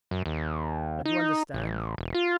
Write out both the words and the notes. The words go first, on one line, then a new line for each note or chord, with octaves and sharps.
Don't you understand.
F#2
D#2
D#4
A1
E1
F4